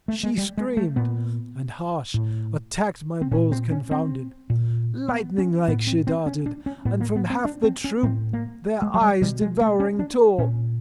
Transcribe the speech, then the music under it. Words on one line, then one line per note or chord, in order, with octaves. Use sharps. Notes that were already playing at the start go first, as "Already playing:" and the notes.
She screamed, and harsh attacked my bulls confounded; lightning-like she darted, and from half the troop their eyes devouring tore.
A3
G#3
G3
G#3
A3
A#2 B3
A2
C4
A#2 C#4
C4
C#4
C4
A#2
B3
C#4
A2 B3
C4
C4
C#4
D4
C#4
A2 B3
A#3
B3
C4
D4
C4
C#4
A2 C4
A#3
G#3
F#3
G3
B2 G3
G#3
A3
C#4
D4
A#2 C#4